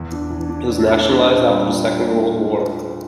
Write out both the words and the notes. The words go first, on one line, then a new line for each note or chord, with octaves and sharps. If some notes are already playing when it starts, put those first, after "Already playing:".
It was nationalised after the Second World War.
Already playing: E2
D4
E3
D4
D4
D4
D4
A#2
G3